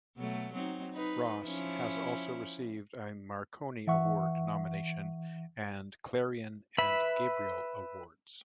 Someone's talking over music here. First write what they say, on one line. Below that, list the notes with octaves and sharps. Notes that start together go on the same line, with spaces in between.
Ross has also received a Marconi Award nomination and Clarion and Gabriel Awards.
B2 F#3 A3
F#3 C4 D#4
D#4 B4
F3 C#4 E4
E3 E5 F#5 C#6
B4 E5 B5